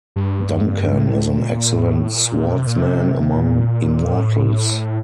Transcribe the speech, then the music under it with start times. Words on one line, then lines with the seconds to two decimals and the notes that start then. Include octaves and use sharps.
Duncan is an excellent swordsman among Immortals.
0.16 G2
0.95 A2
1.35 A#2
1.75 A2
2.15 A#2
2.55 C3
2.67 A#2
2.78 C3
3.35 A#2
4.15 A2